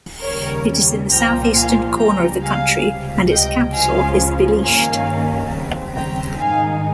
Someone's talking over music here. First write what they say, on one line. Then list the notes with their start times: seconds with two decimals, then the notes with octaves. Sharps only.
It is in the southeastern corner of the country, and its capital is Bilisht.
0.22 D#2 C#3 G3 A#4 C#5
1.10 C2 A#2 F3 A#3 G5 A#5
1.54 F5 G#5
1.99 C#2 C#3 G3 G5 A#5
2.42 F5 G#5
2.87 C#2 C3 G3
3.31 D#5 G5
3.75 C#2 C#3 F3 F5 G#5
4.63 G2 D#3 A#3 C#4 F5 G#5
5.52 D#2 C#3 G3 C4
5.96 G5 A#5
6.40 G#2 D#3 G#3 D#4 F5 G#5